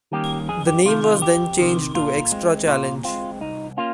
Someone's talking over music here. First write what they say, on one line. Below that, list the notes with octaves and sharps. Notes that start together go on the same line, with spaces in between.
The name was then changed to "Extra Challenge".
D#3 G3 A#3 C#4 G4
F2 G#4
G4
C3 D#3 F4
F4
F2 G4
C3 D#3
A#2 F4
G#3 C4
A#2 F4
G#3 C4 F4
C2 D#4
A#3 C#4 F4